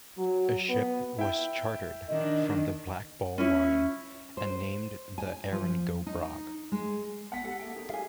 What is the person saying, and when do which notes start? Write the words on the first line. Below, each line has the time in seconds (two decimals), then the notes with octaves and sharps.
A ship was chartered from the Black Ball Line and named the "Erin-go-Bragh".
0.17 F#3
0.69 B3
1.19 E4 G5
2.08 D#3 D4 D#5
3.38 C#4 E4
4.37 C5
5.18 G#5
5.52 F3
6.07 D#4
6.72 G#3
7.32 B3 F#5 B6
7.45 G4 A4 F#5
7.59 A#3 E5 G5
7.76 D#4 G4 G#4 A#4
7.89 F5 G#5